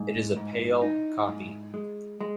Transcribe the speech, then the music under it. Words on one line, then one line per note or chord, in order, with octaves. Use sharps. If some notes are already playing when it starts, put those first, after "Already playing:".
It is a pale copy.
Already playing: G#2
G#2
D#4
G#2
G#3
G#3